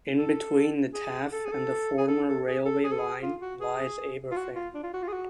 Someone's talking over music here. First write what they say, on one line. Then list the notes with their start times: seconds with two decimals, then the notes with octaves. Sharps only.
In between the Taff and the former railway line lies Aberfan.
0.18 A4
0.94 G#4
1.32 A4
1.45 G#4
1.52 A4
1.97 G#4
2.08 A4
2.28 A4
2.47 G#4
2.65 A4
2.84 G#4
2.92 A4
2.99 G#4
3.23 F4
3.41 F#4
3.60 G#4
4.31 F4
4.37 F#4
4.55 F4
4.74 D4
4.83 F4
4.94 F#4
5.03 F4
5.08 G#4
5.13 F#4